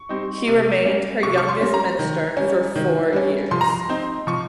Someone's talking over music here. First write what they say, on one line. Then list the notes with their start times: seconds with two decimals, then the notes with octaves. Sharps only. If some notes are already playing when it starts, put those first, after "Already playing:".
He remained her youngest minister for four years.
Already playing: C#6
0.09 G3 C4 D#4
0.47 C3
0.85 G3 A#3 C#4
1.23 C3 C#6
1.38 C#6
1.49 C6
1.61 G3 A#3 C#4
1.74 A#5
1.99 D#3
2.37 G3 C#4
2.76 D#3
3.13 G3 C#4
3.51 F3 C6
3.61 A#5
3.70 C6
3.89 C4 D#4
4.27 F3 C#6